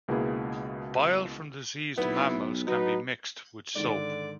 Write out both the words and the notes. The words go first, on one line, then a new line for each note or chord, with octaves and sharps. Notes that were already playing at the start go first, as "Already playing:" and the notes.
Bile from deceased mammals can be mixed with soap.
C#2 B2 A#3 E4 G#4 B4
B1 B3 E4
F#3 D#4 B4
G#2 D3 D#3 D5